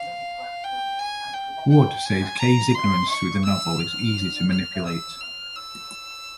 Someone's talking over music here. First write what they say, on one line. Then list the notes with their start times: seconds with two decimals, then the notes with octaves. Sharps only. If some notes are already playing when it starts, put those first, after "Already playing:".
Wood says Kaye's ignorance through the novel is easy to manipulate.
Already playing: F5
0.64 G5
0.99 G#5
1.34 G5
1.70 G5
2.05 G#5
2.39 A#5
2.74 C6
3.09 C#6
3.45 E6
3.80 F6
4.50 F6
4.85 E6
5.21 F6
5.55 E6